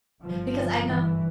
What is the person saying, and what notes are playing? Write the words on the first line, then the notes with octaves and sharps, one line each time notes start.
because I know
G1 G2 F3
E3